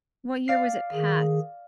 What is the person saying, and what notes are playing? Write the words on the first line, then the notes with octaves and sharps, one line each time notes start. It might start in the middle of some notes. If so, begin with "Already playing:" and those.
What year was it passed?
D5 F5 C7
D#3 G#4